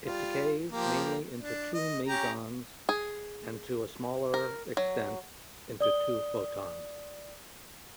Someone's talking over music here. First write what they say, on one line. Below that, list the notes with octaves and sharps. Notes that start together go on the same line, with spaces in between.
It decays mainly into two mesons, and to a smaller extent into two photons.
G3 F4
F3 A#3 G4
D4
D#5
C#4 G4 A#5
G#4
A#4
F#3
D5 D#6 G7